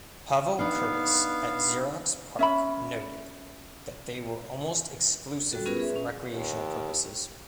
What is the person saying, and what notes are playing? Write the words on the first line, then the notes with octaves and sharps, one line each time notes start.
Pavel Curtis at Xerox Parc noted that they were almost exclusively for recreational purposes.
B3 D4 D#4 F5
C#4 E5 B5
G3 F#4 A4
B3 C#4 F4 G#4 A#4 B4
G#4 B4 E5
C#4
D#2